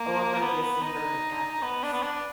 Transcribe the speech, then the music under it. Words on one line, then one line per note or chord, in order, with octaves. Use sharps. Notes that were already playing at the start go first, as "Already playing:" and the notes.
"Oh, I'm gonna be a singer and an actress,"
Already playing: A#3
B3
B3
D#4
B3
D4
B3
D4